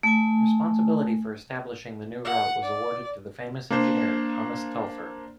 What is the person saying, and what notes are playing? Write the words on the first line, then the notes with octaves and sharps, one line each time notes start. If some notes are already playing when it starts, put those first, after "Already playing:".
Responsibility for establishing the new route was awarded to the famous engineer, Thomas Telford.
A3 G#5
F#5
D5
A#3 D4 C5